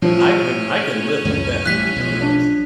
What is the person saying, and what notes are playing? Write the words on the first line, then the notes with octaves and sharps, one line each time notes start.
I couldn't I couldn't live like that, to be honest.
A2 F3 C#4
C#2 F#2 A2
A1 G3 F#6 B6
B1 F3
D4